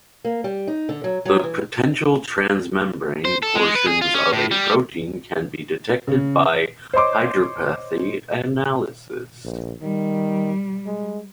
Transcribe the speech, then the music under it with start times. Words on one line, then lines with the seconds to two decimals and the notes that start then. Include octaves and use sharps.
The potential transmembrane portions of a protein can be detected by hydropathy analysis.
0.25 A#3
0.44 G3
0.67 D#4
0.89 D3
1.04 F#3
1.25 F#3
1.43 E3
3.25 C5
3.43 A4
3.55 G#3
3.75 B4
3.87 G#4
4.02 F4
4.14 C#4
4.33 A2
4.51 G3
6.07 C#3
6.94 C5 C#5 D#5 C6 D6
9.44 A#1
9.81 D#3 G3
10.86 G#3